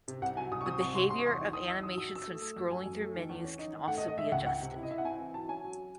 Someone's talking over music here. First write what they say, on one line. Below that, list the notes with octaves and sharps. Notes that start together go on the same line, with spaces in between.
The behavior of animations when scrolling through menus can also be adjusted.
C3
C2 F#5
F#3 G#5
C2 D#6
C#6
C4 D#6
C2 C#6
C3 C6
C2 C6
C#6
E2 C6
D#3
E2 D#6
D#4 E6
F#3 D#6
F#3 E6
F#3 E6
A3
A3
F#2
F#3 G#5
F#2
A3
D#3
E2
C#4
D#4
D#3
A3 F#5
D#5
A3
D#5
G#3 E5
C#2 F#5
C#2 F#5
C3
E4
D#5
E4 E5
F#5
C4 G#5
E3
F#3 A5
C#4 G#5
F#3